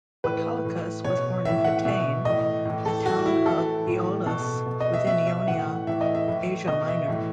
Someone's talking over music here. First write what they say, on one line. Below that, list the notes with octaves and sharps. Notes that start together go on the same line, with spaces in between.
Autolycus was born in Pitane, a town of Aeolis within Ionia, Asia Minor.
A2 E3 B4
A2 E3
B2 C#5
A2 E3 E5
F#5
B2 E5
A2 E3 D#5
A2 E3
A4
A2 E3 F#4
E4
A2 E3 A4
A2 E3
B2 A4
B2
D#5
E5
B2 E5
E5
A2 E3 F#5
A2 E3 E5
D#5
E5
A2 E3
B2 D#5
E5
A2 E3